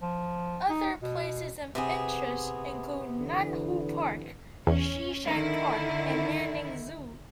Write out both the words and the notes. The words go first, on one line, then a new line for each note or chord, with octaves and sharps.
Other places of interest include Nanhu Park, Shishan Park and Nanning Zoo.
F3
D#4
B2
C3 B3 G#4
D3 E3
E2 C#4
D3 D#3 E4